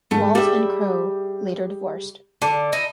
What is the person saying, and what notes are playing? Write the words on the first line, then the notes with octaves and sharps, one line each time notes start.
Walls and Crowe later divorced.
G#2 A3
G3 G4 G#4 E5
D3 A5
D#4 E4